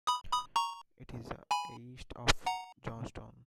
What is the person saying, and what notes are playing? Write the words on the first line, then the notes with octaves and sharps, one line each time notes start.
It is east of Johnstown.
B5 D#6
B5 D#6
A#5 C#6
G#5 B5
F#5 A#5